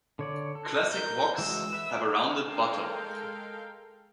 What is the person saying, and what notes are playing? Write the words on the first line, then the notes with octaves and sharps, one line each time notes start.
Classic woks have a rounded bottom.
D3 C#5 D5
A4
A#4 G6
E3 G#3 F#4 E6
B4 E5
G#3 A4 A#4 F5 G5